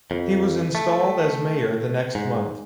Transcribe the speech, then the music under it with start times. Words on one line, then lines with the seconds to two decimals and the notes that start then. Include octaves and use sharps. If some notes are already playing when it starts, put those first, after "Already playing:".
He was installed as mayor the next month.
0.11 F2
0.75 A3
2.15 G#2